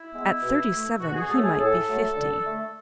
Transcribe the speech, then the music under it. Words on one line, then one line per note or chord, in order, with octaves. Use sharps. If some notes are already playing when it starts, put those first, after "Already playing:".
At thirty-seven he might be fifty.
Already playing: E4
G#3 B3
B2
A3
B2 F#4
G#4
F#3 A3 A4
G#4
A2 A4
F#3 A3
D3
A3